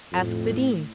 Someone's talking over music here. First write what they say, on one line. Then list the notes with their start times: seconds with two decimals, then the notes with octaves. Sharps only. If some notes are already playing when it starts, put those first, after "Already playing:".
Ask the Dean.
0.13 F2 A2